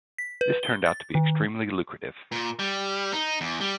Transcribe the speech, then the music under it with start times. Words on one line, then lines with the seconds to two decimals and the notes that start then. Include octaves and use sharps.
This turned out to be extremely lucrative.
0.18 B6
0.41 B4
0.63 G7
0.86 A6
1.15 D#3
2.32 A#2
2.59 G3
3.13 D#4
3.41 E2
3.61 G3